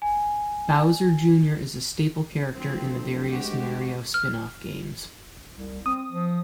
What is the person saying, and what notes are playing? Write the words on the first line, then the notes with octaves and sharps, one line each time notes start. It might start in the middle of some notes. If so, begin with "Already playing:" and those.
Bowser Junior is a staple character in the various "Mario" spin-off games.
G#5
D2 F3 F#3 C4
G#3 F#4 G4
F6
C2
C4 D#6
F3